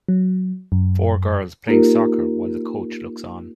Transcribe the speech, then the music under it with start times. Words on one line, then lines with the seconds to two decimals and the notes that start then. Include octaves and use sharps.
Four girls playing soccer while the coach looks on.
0.09 F#3
0.72 F#2
1.68 A#3 D#4 F4 G4 A#4